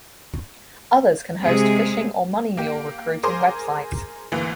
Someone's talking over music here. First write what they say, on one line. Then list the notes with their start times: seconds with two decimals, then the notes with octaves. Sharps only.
Others can host phishing or money mule recruiting websites.
1.40 C3 G#3 G#4
2.57 A#3 G4
3.23 G#4 A#4 C5 C6 D6
4.32 D2 G#2 E3 A#3